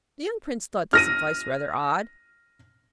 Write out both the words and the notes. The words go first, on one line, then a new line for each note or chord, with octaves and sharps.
The young prince thought this advice rather odd.
F6 A#6 D#7